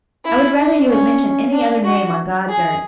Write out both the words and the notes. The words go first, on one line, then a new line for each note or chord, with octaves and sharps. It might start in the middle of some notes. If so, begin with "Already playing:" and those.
'I would rather you had mentioned any other name on God's earth.
E4
D4
C#4
D4
F#4
G#4